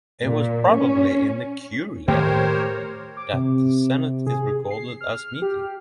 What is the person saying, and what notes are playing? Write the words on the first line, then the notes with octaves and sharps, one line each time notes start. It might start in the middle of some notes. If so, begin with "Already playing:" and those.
It was probably in the curia that the senate is recorded as meeting.
A#2
C#4
A2 D#3 A3 G4 A#4 C5 C#5
D6
C3
G#4
C7
F6
G4